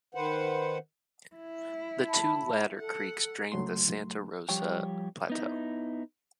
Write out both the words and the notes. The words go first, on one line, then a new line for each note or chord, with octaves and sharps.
The two latter creeks drain the Santa Rosa Plateau.
D#3 B4 C5 F#5
E4
A5 B5
A4 F#5
C#2 F#3 A3 C6
F3 G3 G4 C#5 G5
B3 D#4 E4